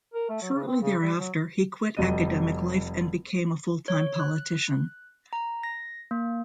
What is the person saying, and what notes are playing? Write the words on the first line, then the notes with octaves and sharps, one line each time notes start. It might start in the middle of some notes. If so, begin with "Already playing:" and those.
Shortly thereafter, he quit academic life and became a full-time politician.
A#4
A3
F#3
C#3
C4
C#3
G3
F#3
F1 G3 F#4 D#5 D#7
C#5
F#6
A#5
A#6
A#3